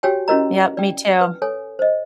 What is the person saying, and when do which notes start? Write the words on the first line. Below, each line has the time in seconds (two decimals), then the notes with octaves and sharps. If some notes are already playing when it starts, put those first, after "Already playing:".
Yep, me too.
0.03 F#4 G4 C#5 G5 G#5
0.28 C#4 E4 F#4 A#4 D#5 A#5
0.77 D5 G5
1.21 B4
1.42 A4 C#5 G#5
1.79 C5 D#5